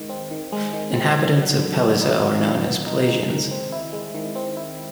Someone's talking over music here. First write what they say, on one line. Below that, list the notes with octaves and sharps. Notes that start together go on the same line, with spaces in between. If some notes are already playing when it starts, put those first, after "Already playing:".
Inhabitants of Palaiseau are known as "Palaisiens".
Already playing: D#3 G#3
C4
D#3
G#3
D#3
C4
D#3
F#3
D3
B3
D#4
F#3
D3
B3
D#4
G#3
D#3
C4
E4
G#3
D#3
C4
E4